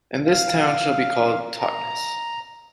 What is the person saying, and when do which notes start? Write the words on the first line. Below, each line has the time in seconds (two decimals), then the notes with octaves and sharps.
And this town shall be called Totnes.
0.26 F5
1.59 A#5